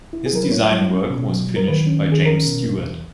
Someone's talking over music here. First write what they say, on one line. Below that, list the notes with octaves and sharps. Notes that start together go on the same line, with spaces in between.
His design work was finished by James Stewart.
E4
G#4
F#3 A#4
B4
E4 C#5
F#3
C#4
B2
F#3
F#3
A#4
D#3 B4
C#4
D#3
G#4
C#4 A#4
B2
E2
E2